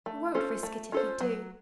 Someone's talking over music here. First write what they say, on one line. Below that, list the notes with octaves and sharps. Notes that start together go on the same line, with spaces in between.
'You won't risk it if you do.
A3
C#4 F4 A4 C5
A3
C#4 F4 A4 C5
F#3